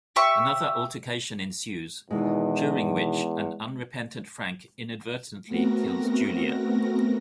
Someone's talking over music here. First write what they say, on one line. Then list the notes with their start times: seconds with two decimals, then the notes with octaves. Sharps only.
Another altercation ensues, during which an unrepentant Frank inadvertently kills Julia.
0.16 G4 E5 C#6
2.10 E2 B2 D#3 E3 G#3
5.46 A3 B3 C4 F#4 A#4 A#6